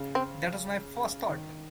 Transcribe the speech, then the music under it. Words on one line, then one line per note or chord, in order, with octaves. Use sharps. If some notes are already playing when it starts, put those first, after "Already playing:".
That was my first thought.
Already playing: C#3
C4
D#3